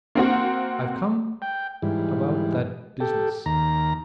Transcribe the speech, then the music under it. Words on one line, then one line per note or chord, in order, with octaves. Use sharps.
"I've come--about that business."
A#3 C4 F#4
G5
G#2 E3 G3
G4 A4
D#2 A#5